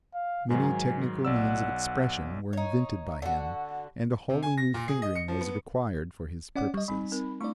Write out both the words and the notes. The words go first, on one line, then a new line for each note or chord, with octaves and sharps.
Many technical means of expression were invented by him, and a wholly new fingering was required for his purposes.
F5
G#2 D#3 F#3 G#5
B1 D5 F#5 E6
D#4 C#5
D3 F#4
C3
G#5
A#6
A#2
G#4
D#5
C#7
F3
B3
C#4 D5 F#5
G3 D#5 C#6
G3 C4 D#4 B5
C4 D#4 A#4
A3 D4 E4 D5 C#6